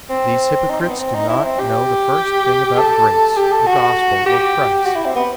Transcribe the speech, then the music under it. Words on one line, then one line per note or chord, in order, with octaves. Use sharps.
These hypocrites do not know the first thing about grace, the Gospel, or Christ.
C4
D#4
C4
B3
C4
D#4
E4
C4
G4
A4
G4
A4
F#4
G4
F#4
E4
C4
B3